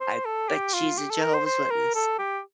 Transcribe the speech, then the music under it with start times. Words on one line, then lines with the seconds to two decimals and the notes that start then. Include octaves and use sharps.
"I bet she's a Jehovah's Witness."
0.01 C5
0.25 A4
0.49 G4
0.74 F4
0.98 G4
1.10 A4
1.22 A#4
1.34 C5
1.46 C5
1.70 A#4
1.95 A4
2.19 G4